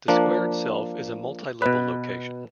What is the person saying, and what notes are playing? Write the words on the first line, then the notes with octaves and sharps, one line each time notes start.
The square itself is a multi-level location.
F3 A#3 D4
B2 B4